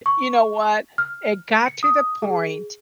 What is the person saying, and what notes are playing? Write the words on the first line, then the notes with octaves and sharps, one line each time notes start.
You know what? It got to the point
C#6
F6
C#7
D#6
G#4